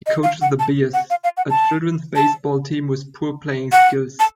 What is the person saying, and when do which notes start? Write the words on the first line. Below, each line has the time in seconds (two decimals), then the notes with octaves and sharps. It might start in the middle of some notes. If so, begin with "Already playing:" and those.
He coaches the Bears, a children's baseball team with poor playing skills.
0.07 D#5
0.23 F5
0.42 F#5
0.59 A5
0.94 F#5
1.10 F5
1.24 F5
1.37 F#5
1.50 A5
2.16 A5
3.72 F#5
4.20 A5